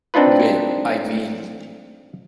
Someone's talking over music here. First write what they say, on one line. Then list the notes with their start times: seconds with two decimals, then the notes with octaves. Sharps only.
Well, I mean!
0.14 C4 D4 D#4 F4 B4